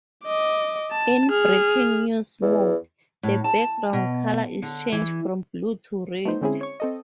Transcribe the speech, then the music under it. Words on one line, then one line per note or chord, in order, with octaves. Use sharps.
In breaking news mode, the background color is changed from blue to red.
D#5 D6
A5
G#4 F6
E2
A2
A5
B2
D3
E3
A3 B3 D#4 C5
D3 G#3 C4 C#4 E4 G#4
C#5 C#6
C4 A4 D#5